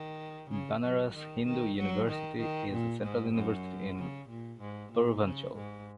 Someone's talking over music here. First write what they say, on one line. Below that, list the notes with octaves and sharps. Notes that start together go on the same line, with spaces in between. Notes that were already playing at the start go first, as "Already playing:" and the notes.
Banaras Hindu University is a Central University in Purvanchal.
Already playing: D#3
C#3
F#3
D#3
D#3
F#3
D#3
D#3
A#2
G#2
F#2
C#3
A#2
G#2
A#2
C#3
G#2